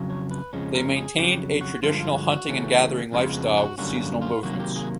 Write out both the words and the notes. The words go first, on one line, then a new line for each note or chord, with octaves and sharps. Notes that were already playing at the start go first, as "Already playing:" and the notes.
They maintained a traditional hunting and gathering lifestyle with seasonal movements.
Already playing: F2 C#3 F#3
C#5
B4
F2 C#3 F3 G#3 C#4
A#4
G#4
F2 C#3 F#3 G4
F#4
G2 D3 F3 G#3 F4
F4
F#4
F#4
C#3 E3 A3 C#4
F2 C#3 F3 G#3 B3 F4
F#4
F#4
F#2 D3 G3 A#3 C#4 F#4
F#4
F4
C3 D#3 F#3 A#3 F#4
G4
G#4